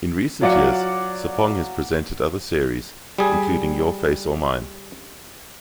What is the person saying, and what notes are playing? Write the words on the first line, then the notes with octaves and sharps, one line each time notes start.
In recent years, Sarpong has presented other series, including Your Face or Mine?
F#3 F4 D5 F#5 C#7
G3 G#4